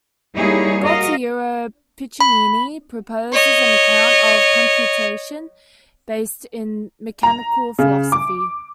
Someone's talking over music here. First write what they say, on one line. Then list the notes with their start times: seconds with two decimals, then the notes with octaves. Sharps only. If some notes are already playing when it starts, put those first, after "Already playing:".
Gualtiero Piccinini proposes an account of computation based in mechanical philosophy.
0.36 G3 A#3 D#4 E4 G#4 C#5
0.82 F#4 A#4 D#5 F5
2.21 B5
3.32 C#5 D#5
7.23 A#5
7.79 C#3
8.12 D6